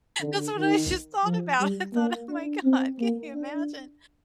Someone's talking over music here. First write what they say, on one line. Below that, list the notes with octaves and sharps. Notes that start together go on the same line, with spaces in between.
That's what I just thought about. I thought, "Oh my God, can you imagine?"
D3
D#3
F3
G3
A#3
D4
C4
A#3
D4